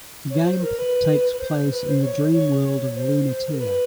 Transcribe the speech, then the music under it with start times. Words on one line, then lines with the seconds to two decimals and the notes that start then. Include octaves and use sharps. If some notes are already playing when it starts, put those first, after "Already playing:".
The game takes place in the dream world of Lunatea.
0.30 C#5
0.45 C5
0.61 A#4
0.77 B4
1.32 B4
1.39 C5
1.71 B4
1.86 C5
2.01 C#5
2.32 C#5
2.95 C5
3.50 A#4
3.58 B4